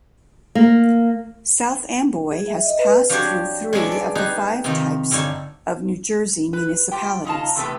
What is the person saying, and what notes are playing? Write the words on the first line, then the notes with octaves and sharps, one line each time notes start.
South Amboy has passed through three of the five types of New Jersey municipalities.
A#3
G#4
E5
D#5
B4
F3 D4 F#4 G4 C5 C#5
G#3 B3 C#4 D4 G#4 A4
D5
D#4 G4 G#4 B4 D#5
C3 D#3 F3 D#4 F4
G2 D3 D#4 C#5 G#5 A5
B4
F4 G4 G5
C#3 D#4 F4 A5
E2 A2 C3 A3 B3 B4